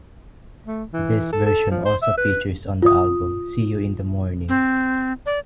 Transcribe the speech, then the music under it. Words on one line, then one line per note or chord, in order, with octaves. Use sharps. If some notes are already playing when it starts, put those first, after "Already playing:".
This version also features on the album "See You in the Morning".
A3
E3
A4
A4
F3
C5
E5
B4
F4 D#6
C4
D5